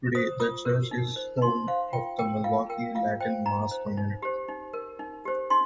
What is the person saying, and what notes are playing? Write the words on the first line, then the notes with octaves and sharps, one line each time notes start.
Today, the church is the home of the Milwaukee Latin Mass community.
C5 D#6
F4 D#6
A#4
D#4
C5
D#4 C6
C5 F5
F4 G5
A#4 G5
F4 F5
A#4 G5
F4 F5
C5 G5
D#4 A#5
C5
D#4
G4 C5
D#4
A#4
D#4
G4 C5
D#4 C6